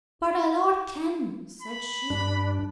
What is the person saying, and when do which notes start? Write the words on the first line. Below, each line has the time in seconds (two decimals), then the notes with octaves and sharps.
"But OUR LORD can!" said she.
1.62 B5
2.10 G2 D4